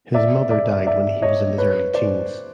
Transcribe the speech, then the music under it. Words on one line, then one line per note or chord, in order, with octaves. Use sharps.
His mother died when he was in his early teens.
D5 E5
D5 E5
D5 E5
C#5 D#5
B4 C#5
C5 D5